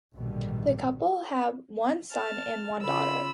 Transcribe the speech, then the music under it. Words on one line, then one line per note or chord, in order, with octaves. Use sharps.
The couple have one son and one daughter.
A#1 G#2 B2 D3 D#3 G3
A5 F6
C#3 F4 B5 E6